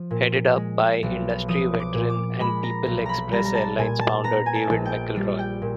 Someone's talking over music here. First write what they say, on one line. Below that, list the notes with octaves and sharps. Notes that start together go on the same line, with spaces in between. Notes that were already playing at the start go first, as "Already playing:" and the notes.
Headed up by industry veteran and People Express Airlines founder David McElroy.
Already playing: F3
A#2
G#3
B1
F3 D#6
D6
A#2
D6
G#3 B5
A#5
B1
A#5 B5
G3 A#5
A#5
A5
A#2 G#5
A5
B3 A#5
G#5
A5
A#1
G5
G3
G5
A#2